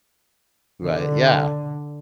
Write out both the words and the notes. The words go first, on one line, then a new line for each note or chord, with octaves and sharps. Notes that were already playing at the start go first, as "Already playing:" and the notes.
Right, yeah.
D3